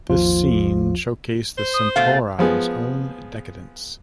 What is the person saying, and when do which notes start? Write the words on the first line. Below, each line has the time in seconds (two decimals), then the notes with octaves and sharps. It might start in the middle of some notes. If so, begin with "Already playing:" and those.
This scene showcased the Centauris' own decadence.
0.10 G#1 D#2 F3 F4
1.58 C5
1.74 D#6
1.96 B2 A3 F5 A6
2.39 F3 G#3 B3 G#4